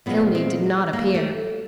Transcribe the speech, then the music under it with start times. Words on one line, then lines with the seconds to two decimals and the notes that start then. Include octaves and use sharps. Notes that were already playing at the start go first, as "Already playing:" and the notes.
Tilney did not appear.
0.06 A#2 F3 G#3 B3
0.35 C4
0.93 A#3
1.14 A3